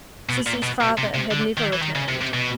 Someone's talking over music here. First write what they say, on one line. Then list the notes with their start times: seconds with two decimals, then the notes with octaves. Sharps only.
Sissy's father had never returned.
0.29 B2
0.46 A#2
0.62 B2
0.81 B2
0.98 C3
1.15 C3
1.31 D3
1.57 D#3
1.73 E3
1.82 D#3
1.95 C#3
2.09 C3
2.21 C3
2.34 B2